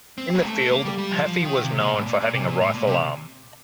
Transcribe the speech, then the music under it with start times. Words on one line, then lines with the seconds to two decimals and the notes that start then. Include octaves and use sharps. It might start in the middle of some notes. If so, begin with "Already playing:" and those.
In the field, Hafey was known for having a rifle arm.
0.18 C4
0.35 A#3
0.45 A3
0.71 A#3
0.85 G3
0.98 G3
1.11 F3
1.25 F3
1.44 D#3
1.61 C3
1.80 A#2
1.93 A2
2.06 A#2
2.21 A#2
2.34 C3
2.47 A#2
2.61 A2
2.74 A#2
2.87 C3